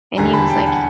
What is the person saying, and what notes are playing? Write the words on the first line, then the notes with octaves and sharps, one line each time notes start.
and he was like
E1 D#2 D3 G3 G#5 A#5
A5 B5
G5 A5
F#5 G#5